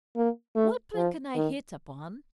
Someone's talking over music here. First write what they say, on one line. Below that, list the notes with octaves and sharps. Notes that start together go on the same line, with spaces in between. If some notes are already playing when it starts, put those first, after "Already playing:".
What plan can I hit upon?
A#3
A3
F3
D#3